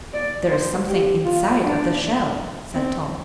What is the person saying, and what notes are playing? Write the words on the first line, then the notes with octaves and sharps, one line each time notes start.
"There is something inside of the shell," said Tom.
D5
C5
G4
F4
D4
C4